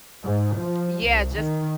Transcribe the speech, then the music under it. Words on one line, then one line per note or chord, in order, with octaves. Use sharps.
Yeah, just
G#2
F3
C2
D#3